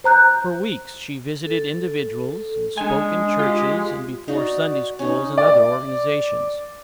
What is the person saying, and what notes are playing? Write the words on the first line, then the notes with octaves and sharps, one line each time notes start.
For weeks she visited individuals and spoke in churches and before Sunday schools and other organizations.
C5 A#5 F#6 G6
A4
G#3 D4 G#5
F4 G4
D#4 F#4 D5
C#4 D#4 C#5
D5